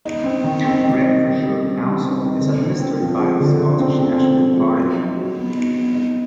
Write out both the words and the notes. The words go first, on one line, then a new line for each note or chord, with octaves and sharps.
Renfrewshire Council is administered by the Scottish National Party.
D#4
C4
D#3
C4
D#4
D#4
D#3
G3
C4
G3
C4
D#4
D3
C4
C4
F3
G#3
D3
D3
C4
C4
C4
F3
G#3
F#3
D#4
F#3
B3
D#4
B3
D#4